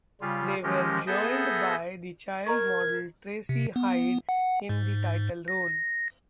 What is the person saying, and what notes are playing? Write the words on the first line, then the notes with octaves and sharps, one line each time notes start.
They were joined by the child model Tracy Hyde in the title role.
C#3 G3 F4
D#3 F3 G#3 C#4 G4 A#4
B3 G#4 A4 E5 G6 A#6
A#4 D#5 A#5 C#6 G#6
C3
B3
F#5
G#2
A#6